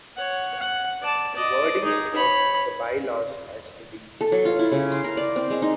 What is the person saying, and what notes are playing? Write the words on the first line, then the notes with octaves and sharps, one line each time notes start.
The wording of the bylaws has to be precise.
C#5 F#5
F#5
D5 A5
D5 D#5
D#4 G#4
C#5 B5
A4
F#3
F4
E4
C#3
C6
A#4
D5
C4
G#3
D#4